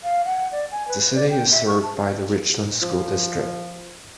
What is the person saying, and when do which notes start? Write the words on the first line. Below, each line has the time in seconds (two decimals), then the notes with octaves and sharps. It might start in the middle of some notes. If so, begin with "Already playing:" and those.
The city is served by the Richland School District.
0.04 F5
0.25 F#5
0.52 D5
0.71 G#5
0.88 B4
1.15 D5
1.30 G5
1.51 E5
1.67 C#6
1.83 A5
2.82 F3